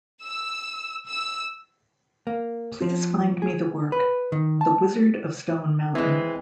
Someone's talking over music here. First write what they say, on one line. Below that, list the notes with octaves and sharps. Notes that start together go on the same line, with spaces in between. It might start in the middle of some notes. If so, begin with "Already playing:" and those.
Please find me the work, The Wizard of Stone Mountain.
E6
E6
A#3
F3
G#4
B4
D#3
A5
E3 G#3 C4